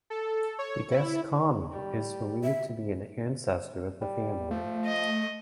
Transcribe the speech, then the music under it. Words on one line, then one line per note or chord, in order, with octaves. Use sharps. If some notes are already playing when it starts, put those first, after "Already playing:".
The guest kami is believed to be an ancestor of the family.
A4
C#5
E4
G3
E5
G3
F3 A3
D#5